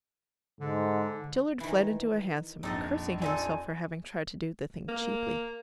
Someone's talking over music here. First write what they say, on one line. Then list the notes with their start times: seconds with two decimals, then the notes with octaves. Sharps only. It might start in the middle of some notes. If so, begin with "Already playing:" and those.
Tilliard fled into a hansom, cursing himself for having tried to do the thing cheaply.
0.61 G#2 D3
1.60 D#3 E3
2.63 A#1 F2 D#4 A4 D#5 A6
3.22 C4 D#4 A4 D5 G#5
4.88 A#3